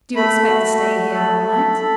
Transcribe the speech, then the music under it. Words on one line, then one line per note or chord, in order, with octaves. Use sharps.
"Do you expect to stay here all night?"
A3 B5
F#4
A3
A4
A4
A4